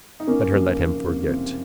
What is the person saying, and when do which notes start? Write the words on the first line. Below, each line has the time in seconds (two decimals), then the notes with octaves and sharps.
Better let him forget.
0.20 D#4
0.28 F#1 A#3 C#4
0.53 F2 C3
0.78 F#1
1.04 F2 C3
1.29 F#1 C4